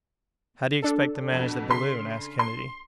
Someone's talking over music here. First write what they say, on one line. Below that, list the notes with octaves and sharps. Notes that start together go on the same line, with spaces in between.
"How do you expect to manage the balloon?" asked Kennedy.
D4 A4
F2 B2
C#3 C6 B6
C6